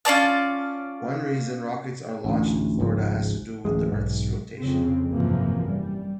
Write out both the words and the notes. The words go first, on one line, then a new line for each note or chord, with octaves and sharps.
One reason rockets are launched in Florida has to do with the Earth's rotation.
C#4 F4 D5 A5
A1 D2
G#1 C#2 G#2 F3
D1 A1 G#3
B1 G#2
F2 C#3 C4
G#1 F#2 C3 E3 F3 A#3
G3